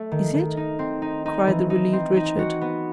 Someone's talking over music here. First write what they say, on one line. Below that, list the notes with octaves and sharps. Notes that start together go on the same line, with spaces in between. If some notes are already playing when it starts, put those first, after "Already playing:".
"Is it?" cried the relieved Richard.
Already playing: A3
D#3
D#3
D#4
C4
D#4
D#4
E3
D#4
C4
D#4
F#4
B3